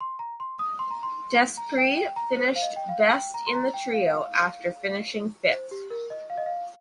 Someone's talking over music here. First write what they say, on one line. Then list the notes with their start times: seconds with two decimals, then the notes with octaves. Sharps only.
Despres finished best in the trio after finishing fifth.
0.01 C6
0.19 A#5
0.40 C6
0.59 D#6
0.79 C6
0.91 A#5
1.03 C6
1.57 A#5
1.77 G5
1.97 G5
2.16 A#5
2.37 C5
2.56 F5
2.62 D#5
2.76 G5
2.89 F5
3.15 G5
3.34 A#5
3.47 C6
3.55 A#5
3.74 G5
3.93 F5
5.51 C5
5.71 G4
5.90 A#4
6.10 D#5
6.30 F5
6.38 D#5
6.46 F5